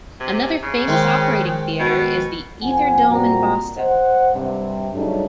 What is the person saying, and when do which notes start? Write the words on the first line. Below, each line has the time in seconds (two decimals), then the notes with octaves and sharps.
Another famous operating theater is the Ether Dome in Boston.
0.20 C3
0.63 C#3
0.87 D#3 G#3 C4
1.80 B2
2.63 F2 C4 F#5 G#5
3.09 A#2 G3 A#3 C4 F#4 A#5
3.78 C5 D#5 F#5
4.34 G2 C3
4.94 G2 C#3 F#3 A3 D4 D#4